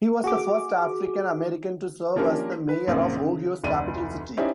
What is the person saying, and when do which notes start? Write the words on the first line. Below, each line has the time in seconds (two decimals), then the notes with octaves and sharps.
He was the first African-American to serve as the mayor of Ohio's capital city.
0.24 F#4 G#4 D6
2.16 F3 A#3 C#4 D4 G4 A#4
2.69 B4
2.88 A#1 F#2 C#3 A#3 C4 F5
3.19 C#3
3.64 F1 D2 D5 D#7
4.37 C#4 D#4 E4 G4 C5 D5